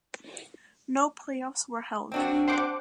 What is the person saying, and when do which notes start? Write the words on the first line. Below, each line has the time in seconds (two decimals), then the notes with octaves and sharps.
No playoffs were held.
2.12 C4 D4 F#4
2.48 C5 F#5 D6